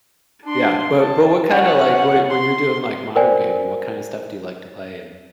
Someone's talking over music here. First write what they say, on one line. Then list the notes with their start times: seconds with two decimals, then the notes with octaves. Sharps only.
Yeah, but but what kinda like when when you're doing, like, modern gaming, what kind of stuff do you like to play in
0.45 D4 C6
1.00 A5
1.48 C#4 F#5
2.30 C6
3.16 A#4 C5 D5 G5 G#5